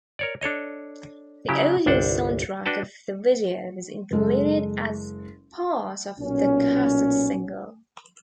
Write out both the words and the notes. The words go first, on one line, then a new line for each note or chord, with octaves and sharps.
The audio soundtrack of the video was included as part of the cassette single.
A#4 C#5 D5
D4 A4 C#5 D#5
C#3 F#3 E4 G4
G1 C2 D4 C5 F#5 G5
D4 F#4 B4 G5 A5
F#1 G#3 A4
B1 A#2 C#4